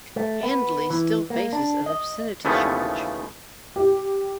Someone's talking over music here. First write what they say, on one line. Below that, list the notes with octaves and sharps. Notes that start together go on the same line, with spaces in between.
Handley still faces an obscenity charge.
A3
B3
E3
A#3
D4
D#5
D#2 C#3 E3 F3 A3 B3
G4